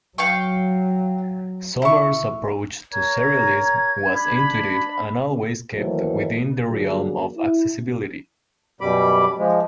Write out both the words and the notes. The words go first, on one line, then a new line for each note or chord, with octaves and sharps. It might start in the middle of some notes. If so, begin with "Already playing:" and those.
Somers's approach to serialism was intuitive and always kept within the realm of accessibility.
F#3 F5 G5 C#6
E4 C#6
A#4 C#5 A#5 G#6
D4 B5
D#2 E3 F#3 A3 A#4 C5
D3 F#3 G3 A#3 F#4 G#4
E4
F#2 B2 G3 B5 D6
F3 G#3